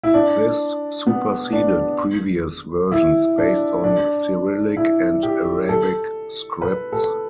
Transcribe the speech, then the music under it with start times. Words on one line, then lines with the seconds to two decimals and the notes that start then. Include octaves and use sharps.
This superseded previous versions based on Cyrillic and Arabic scripts.
0.03 E4
0.14 D4
1.06 B3
1.53 D4
2.92 E4
3.38 D4
3.84 D4
4.77 E4
5.23 G4
5.69 A4
6.62 B4
6.92 A4